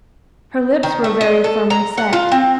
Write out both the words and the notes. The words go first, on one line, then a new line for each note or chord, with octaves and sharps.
Her lips were very firmly set.
D#3
A3
D#5
A4
A#5
F#5
F4
C4